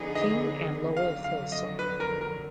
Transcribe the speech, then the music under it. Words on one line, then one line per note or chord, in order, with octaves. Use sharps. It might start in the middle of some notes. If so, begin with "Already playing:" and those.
King and Lowell Fulsom.
Already playing: D3 F3 B3 D#4 G#4
D#5
F2 D3 F#3 F5
F5
D#5
B4
A#4
A#4